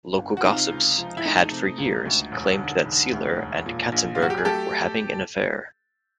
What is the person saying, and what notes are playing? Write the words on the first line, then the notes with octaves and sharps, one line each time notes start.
Local gossips had for years claimed that Seiler and Katzenberger were having an affair.
G1
F#4
C3 D#4 F4
C#2
F3
E4
A3 D#4
C3
C#2
D2
E1
D3
E1
D2
E1
A#2
A#1
F4
F#3 F#4
G4
G#4
A3 G4 A4